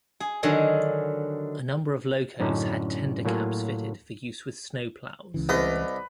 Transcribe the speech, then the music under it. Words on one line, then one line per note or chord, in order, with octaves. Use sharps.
A number of locos had tender cabs fitted for use with snow ploughs.
G#4
D3 D#3 F#3 G#4
F#2 A2 D3 C#4 D#4
A2 F#3 A#3 F4 G#5
C#2 C#3 E3
C2 B4 D#5